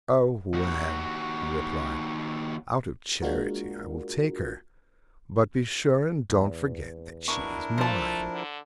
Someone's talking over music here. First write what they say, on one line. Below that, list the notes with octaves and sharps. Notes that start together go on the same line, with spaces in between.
"Oh! well," he replied, "out of charity I will take her; but be sure and don't forget that she is mine."
D#2 F#4
G#3 A#3 D4 F4 F#4 A#4
E2
B2 D4 E4 A#4 C#6
F3 A3 C5 A5
D3